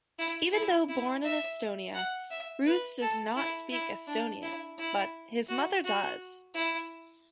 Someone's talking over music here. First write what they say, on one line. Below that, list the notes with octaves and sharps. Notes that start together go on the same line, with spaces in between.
Even though born in Estonia, Roos does not speak Estonian, but his mother does.
E4
E4
E4
E5
F#5
E5
B4
A4
E4
E4
D4
E4
E4
F#4
F#4
E4